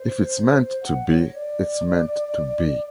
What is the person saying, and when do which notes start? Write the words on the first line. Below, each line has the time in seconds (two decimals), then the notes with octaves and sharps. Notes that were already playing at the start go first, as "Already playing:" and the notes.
If it's meant to be, it's meant to be.
Already playing: C5
0.83 F#5
1.08 C#5
1.34 D5